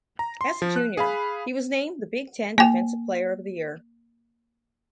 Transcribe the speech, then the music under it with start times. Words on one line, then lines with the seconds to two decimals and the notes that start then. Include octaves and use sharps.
As a junior, he was named the Big Ten Defensive Player of the Year.
0.19 A#5
0.41 C6
0.62 F3
0.76 F#6
0.97 G#4 F5 B5
2.58 A#3 G5